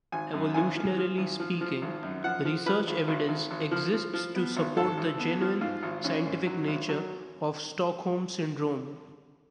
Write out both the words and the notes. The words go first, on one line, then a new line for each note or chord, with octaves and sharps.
Evolutionarily speaking, research evidence exists to support the genuine scientific nature of Stockholm syndrome.
G#1 G#5
F#2
G#1 G#5
F3
F3
G#1
F3
F3
G#1
F#2
F3 F#5
F3
F3 B4
G#1
G#1
G#1
G#1
F3
F3
F3
B3
G#1
G#2 A4
G#1
B3
F3
G#2 F4
G#1
G#1 C#4
G#2
F#3
G#1
F#3